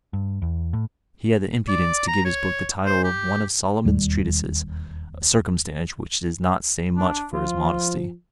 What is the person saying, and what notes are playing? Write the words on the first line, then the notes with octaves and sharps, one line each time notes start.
He had the impudence to give his book the title of one of Solomon's treatises-- a circumstance which does not say much for his modesty.
G2
E2
A2
D5
A#5
C#5
C5
G4
E1 D#2 G3
D4
F3 F4